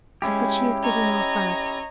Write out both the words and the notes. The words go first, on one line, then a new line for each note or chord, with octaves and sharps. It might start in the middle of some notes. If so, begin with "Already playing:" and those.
But she is getting well fast.
G#3 C#4 E4 G4
C#5 D#5 A#5